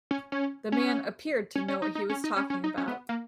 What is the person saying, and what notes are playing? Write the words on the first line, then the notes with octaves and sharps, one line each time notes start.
The man appeared to know what he was talking about.
C#4
C#4
C#4
C#4
C#4
D#4
D#4
C#4
D#4
C#4
C#4
D#4
C#4
B3
A#3